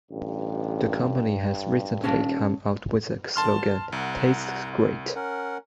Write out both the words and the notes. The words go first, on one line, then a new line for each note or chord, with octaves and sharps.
The company has recently come out with the slogan, Tastes great!
A1 G2
D#1 C#4 F5 A5
F#2 D3 A5 C6 F6
C2 F#5 A#5
C#4 A#4 F#5